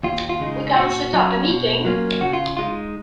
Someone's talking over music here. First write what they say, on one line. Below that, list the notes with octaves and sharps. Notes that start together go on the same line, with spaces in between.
We can set up a meeting?
D#2 F4
F4
C#3 G#3 D#4
A#2 F#4
F#3 C#4 F4
B2
F#3 A#3 C#4 F4
C#3 F#4
F4
G#3 D#4 F4